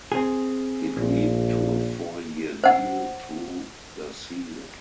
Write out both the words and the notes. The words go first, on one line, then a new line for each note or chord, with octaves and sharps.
He agreed to a four-year deal through the season.
C4 G#4
A#1
C5 F#5